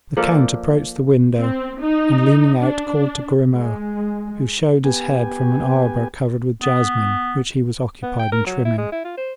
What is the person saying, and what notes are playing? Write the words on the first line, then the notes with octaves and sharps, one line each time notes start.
The count approached the window, and leaning out, called to Grimaud, who showed his head from an arbor covered with jasmine, which he was occupied in trimming.
F3 A#3 A4 D5
C4
D#4
D4
G#3
B3 G4 G#5
B3
B3
G5
A#4
F#3
E4
G#3
E4
F4
C5